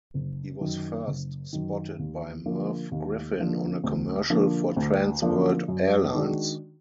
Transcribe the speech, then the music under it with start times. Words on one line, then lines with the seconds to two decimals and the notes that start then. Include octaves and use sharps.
He was first spotted by Merv Griffin on a commercial for Trans World Airlines.
0.14 F#1
0.61 F#2 D#3
1.07 F#1
1.53 F#2 D#3
1.99 D#2
2.46 D3 F3 A#3
2.92 D#2
3.38 D3 F3 A#3
3.84 D2
4.30 D3 F3 A#3 D4
4.77 D2
5.22 D3 F3 A#3 D4
5.68 F#2
6.15 D#3 G#3 D4 F#4